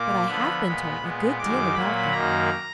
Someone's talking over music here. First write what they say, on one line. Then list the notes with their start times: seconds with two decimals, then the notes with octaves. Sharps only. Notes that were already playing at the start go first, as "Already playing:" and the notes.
"But I have been told a good deal about them."
Already playing: A#2 A#3 D6
0.26 D3 F3 B3 B5
0.64 A#2 G#3 B3
1.01 A#2 G#3 B3
1.38 F#2 D#3 G#3 D6
1.75 A#2 F#3 A#3 B5
2.12 F#2 D#3 A#3 A#5